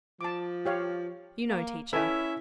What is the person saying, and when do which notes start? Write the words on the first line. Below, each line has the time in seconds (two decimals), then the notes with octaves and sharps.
You know, teacher.
0.21 F3 A5 D6
0.66 G4 C#5 F5
1.49 A#3
1.93 C#4 E4 A4 B4 E5 G#5